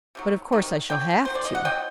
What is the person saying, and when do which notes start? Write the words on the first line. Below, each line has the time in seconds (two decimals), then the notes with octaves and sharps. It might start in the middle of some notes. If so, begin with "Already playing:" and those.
But, of course, I shall have to.
0.15 C3 D#3 F#3
0.52 C3 D#3 F#3
0.90 D3 F#3 G5
1.25 D3 F#3 C4 C5
1.35 D5
1.45 D#5
1.55 F#5
1.65 F#3 C4 D#5 G5